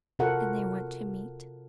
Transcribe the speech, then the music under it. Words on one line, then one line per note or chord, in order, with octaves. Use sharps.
And they went to meat.
C3 F4 F#4 A4 A#4 F#5